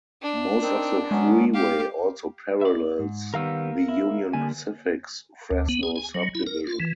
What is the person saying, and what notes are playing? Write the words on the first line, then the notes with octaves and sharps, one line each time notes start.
Most of the freeway also parallels the Union Pacific's Fresno Subdivision.
D4
C4 D#4 A#4
F#3 G#3 B3 C#4
G4 F5
D5 E5
G#2
D#3 G3 B3 A#4 F5 E6
E4
D3 G3 A#3 G#5
D2
B3
G#4
G#5
F#3
E4
A#4
F4
E3